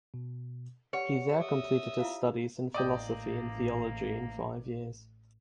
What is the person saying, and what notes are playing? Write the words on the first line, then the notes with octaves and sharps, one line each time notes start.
He there completed his studies in philosophy and theology in five years.
B2
G4 B4 C#5 D5 F#5
E5 D#6
E4 F4 F5
A1 A#3 D5 D#5 G5